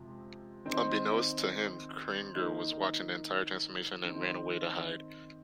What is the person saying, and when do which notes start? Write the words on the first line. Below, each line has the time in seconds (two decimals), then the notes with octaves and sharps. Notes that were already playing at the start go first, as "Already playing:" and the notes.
Unbeknownst to him, Cringer was watching the entire transformation and ran away to hide.
Already playing: F2 C3 F3 G#3 C4
0.65 D#3 C4 D#4
2.35 D#3 A#3 D#4
4.05 D#3 C4 D#4